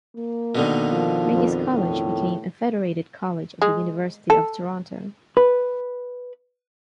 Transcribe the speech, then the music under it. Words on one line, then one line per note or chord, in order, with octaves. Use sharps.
Regis College became a federated college of the University of Toronto.
A#3
B2 D3 D#3
F3
F2
F2 A2
G#3
A4
B4